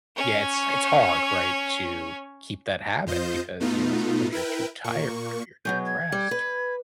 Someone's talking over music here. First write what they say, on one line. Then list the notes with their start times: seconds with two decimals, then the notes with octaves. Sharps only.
Yeah, it's it's hard, right, to keep that habit, because, you know, sometimes you're too tired, or you're depressed.
0.16 C#4 C#5
3.07 F2 F4 C5 D#5 G6
3.60 B2 A3 B3 D#4 F4
4.32 E4 A#4 B4 G5
4.84 A#2 A#3 C#6
5.65 B2 F#3 G#3 G6
5.86 G#6
6.12 G3
6.31 B4